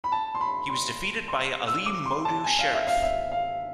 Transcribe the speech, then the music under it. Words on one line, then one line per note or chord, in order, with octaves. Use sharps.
He was defeated by Ali Modu Sheriff.
B5
A5
C6
B5
C6
C6
E6
D6
C6
A5
G#5
F5
E5
F5
E5
F5